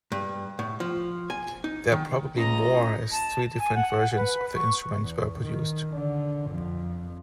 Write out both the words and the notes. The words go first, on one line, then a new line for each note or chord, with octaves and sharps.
There are probably more as three different versions of the instrument were produced.
G2
A2
F3
G#5
D#4
D#3
C#2 D#5 A#5
A5
G#5
F#5
B4
C#6
E2
D#3
D3
F2